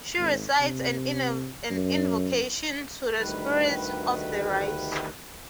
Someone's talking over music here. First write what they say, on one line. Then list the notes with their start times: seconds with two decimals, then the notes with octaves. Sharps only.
She recites an invocation to the spirits of the rice.
0.19 G#1
0.61 C3
1.71 F#2
3.17 D2 D#3 G3 B4